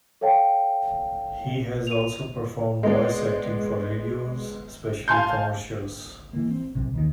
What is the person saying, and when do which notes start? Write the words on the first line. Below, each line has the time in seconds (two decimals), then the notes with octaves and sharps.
He has also performed voice acting for radio, especially commercials.
0.21 A4 C#5 F5 G5 A5
1.87 D#7 F7
2.83 G#3 B3 D5
5.08 F5 G#5 A5 C6 G6
6.33 E3 A#3
6.51 C4
6.75 B1 C3
6.94 D#2 D#3